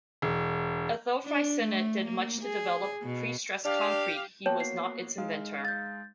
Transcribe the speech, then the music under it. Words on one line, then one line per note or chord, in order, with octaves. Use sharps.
Although Freyssinet did much to develop prestressed concrete, he was not its inventor.
E1
D4
A3
A#3
G#4
B2
D4 G4 F5
A#3 B3 F#4 C#5 G5 A5
C7
G#3 D#4 F5
G6 A6